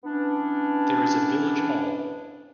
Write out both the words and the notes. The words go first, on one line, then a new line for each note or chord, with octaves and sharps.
There is a village hall.
E3 B3 C#4 D4